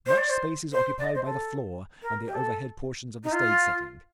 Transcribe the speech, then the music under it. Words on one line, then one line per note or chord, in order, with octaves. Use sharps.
Much space is occupied by the floor and the overhead portions of the stage setting.
C5
D5
C5
C5
D5
D#5
C5
A4
A#4
G4
A4
D#4
F4